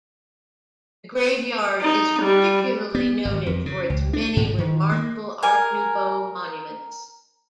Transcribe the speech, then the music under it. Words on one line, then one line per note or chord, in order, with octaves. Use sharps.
The graveyard is particularly noted for its many remarkable art nouveau monuments.
D#4
G3
B3
G#1
F2
C#3
C#2
D4
G#2
D#3
A#3
A#4 G#5